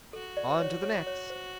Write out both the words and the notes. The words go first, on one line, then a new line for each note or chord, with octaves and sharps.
"On to the next!"
F#4 A4
D5
C5
C#5
C#5
C#5
C5